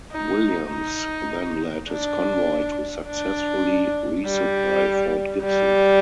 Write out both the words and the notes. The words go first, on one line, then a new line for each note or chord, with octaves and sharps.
Williams then led his convoy to successfully resupply Fort Gibson.
D#4
D#4
D4
D4
G3
G3